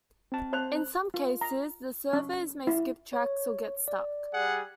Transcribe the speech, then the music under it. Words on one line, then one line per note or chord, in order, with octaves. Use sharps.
In some cases, the servos may skip tracks or get stuck.
C4 A5
C5 F#6 F7
F4
A#5
C#4
E4
C#5
D5
G3 G#4 F#5